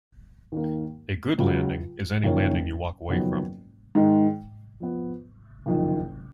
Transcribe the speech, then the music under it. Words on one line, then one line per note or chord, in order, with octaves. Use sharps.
A good landing is any landing you walk away from.
D#2 D#3 A#3
C#2 C#3 F#3
F#1 F2 D#3 A#3 C#4
F#1 F2 D#3 F#3 B3
G#2 D#3 G#3
F2 F3 B3
F#1 F2 D#3